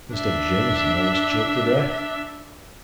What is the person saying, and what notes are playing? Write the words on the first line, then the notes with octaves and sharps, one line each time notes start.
Mr. Jamieson almost choked to death.
D4 E5